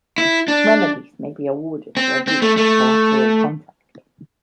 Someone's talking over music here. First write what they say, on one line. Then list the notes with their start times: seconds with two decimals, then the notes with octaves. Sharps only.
Remedies may be awarded for breach of a collateral contract.
0.18 E4
0.48 D4
1.97 C4
2.28 C4
2.42 A3
2.57 A3